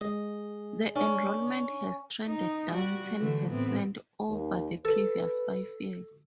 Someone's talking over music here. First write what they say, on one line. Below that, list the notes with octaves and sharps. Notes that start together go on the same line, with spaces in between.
The enrollment has trended down ten percent over the previous five years.
G#3 D#5
C#4 D4
D#4
G3 F#4
D3 E3 A3
A2 B3 C4
D#2
A4 B4